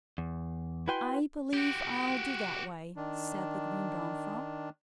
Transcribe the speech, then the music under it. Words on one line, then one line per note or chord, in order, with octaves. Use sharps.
"I believe I'll do that way," said the Green Brown Frog.
E2
E4 F#4 B4 G5 G#5 C6
F#4 G4
D#3 D4